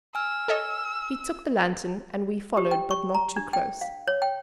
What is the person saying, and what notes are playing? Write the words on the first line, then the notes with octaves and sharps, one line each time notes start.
He took a lantern and we followed, but not too close.
G#5 E6 F6
A4 C#5 D#5
G4
G5
C#6
A#5
D4
G5
F5
C#5
G5